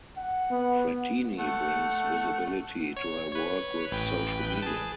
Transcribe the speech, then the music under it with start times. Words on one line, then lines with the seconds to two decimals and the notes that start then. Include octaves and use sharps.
Fratini brings visibility to her work with social media.
0.18 F#5
0.51 B3
1.38 A3 F#5
2.97 C#5
3.32 B4 C#5
3.91 A1 B4 G5
4.62 G#4 A5